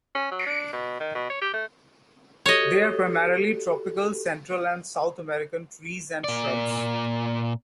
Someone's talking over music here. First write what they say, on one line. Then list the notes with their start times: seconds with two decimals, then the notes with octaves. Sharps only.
They are primarily tropical Central and South American trees and shrubs.
0.15 C#4
0.32 F#3
0.46 D4
0.73 B2
1.00 D#3
1.15 B2
1.30 C#5
1.41 G4
1.53 A3
2.46 F#4 G4 A4 C#5 D#5
6.24 A#2 D5